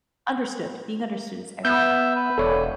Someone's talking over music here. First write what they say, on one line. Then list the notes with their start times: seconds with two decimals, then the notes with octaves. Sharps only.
understood, being understood is everything.
1.65 B3 E5 G6
2.16 B4
2.38 E1 A4 C#5 D5